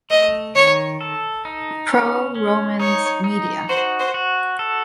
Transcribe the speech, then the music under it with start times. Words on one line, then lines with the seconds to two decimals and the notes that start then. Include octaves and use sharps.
Pro Romans Medea.
0.10 A3 D#5
0.55 D#3 C#5
1.01 A4
1.45 D#4
1.90 C#4
2.35 C#4
2.80 D#4 C#5
3.24 D#4
3.69 F#4 C5
4.00 C5
4.14 F#4
4.59 A4